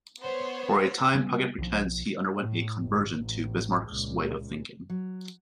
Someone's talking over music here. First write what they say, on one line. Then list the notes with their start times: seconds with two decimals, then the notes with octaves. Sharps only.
For a time Puckett pretends he underwent a conversion to Bismark's way of thinking.
0.20 B3 C5 C#5
1.15 F#3 G3 B3 C#4
1.58 B1 F3
2.38 A2
2.79 G1
3.19 A1
3.88 C#2 A#2
4.90 F#3